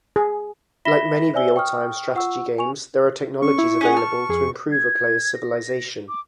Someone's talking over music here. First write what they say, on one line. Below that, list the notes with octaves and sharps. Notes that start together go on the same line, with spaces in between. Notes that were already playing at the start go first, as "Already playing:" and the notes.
Like many real-time strategy games, there are technologies available to improve a player's civilization.
G#4
E5 B5 A#6 B6 E7 G7
C5 D5 E5 G#5 E6 G7
G5 C#6 D#6 F6
F4 F#5 C#6 E6
G#5 C#6 F7
C#4 C#6
E4
C#4 G#4 F#5
A5 F6
F2 G#4
G#6
A#6
D6